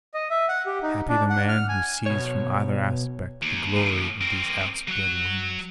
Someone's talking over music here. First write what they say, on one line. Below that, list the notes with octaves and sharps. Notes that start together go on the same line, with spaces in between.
Happy the man who sees from either aspect the glory of these outspread wings.
D#5
E5
F#5
G4
D#4
D4
F#5
F6
G#5
B2 C#5
D#2
D#2 A2
C4 A#4
F#3 F#5